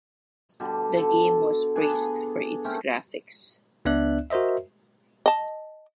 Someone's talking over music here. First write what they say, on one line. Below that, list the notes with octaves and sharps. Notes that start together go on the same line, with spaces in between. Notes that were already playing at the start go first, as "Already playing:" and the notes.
The game was praised for its graphics.
B2 D3 G3
D3 A4
B3 D4 G#4
A3 C4 C#4 A#4
C#2 B3 D4 D5 E5 F#6
F#4 A#4 C5 D#5 E5
D#5 A5